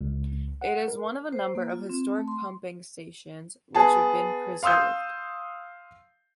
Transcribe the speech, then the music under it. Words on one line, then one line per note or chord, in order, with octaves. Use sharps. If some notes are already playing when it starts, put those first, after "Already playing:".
It is one of a number of historic pumping stations which have been preserved.
C#2
F#5
A#4
C5
A#3
F4
C4
A3
C6
B3 G#4 A5
F5 C6 D#6 E6 G6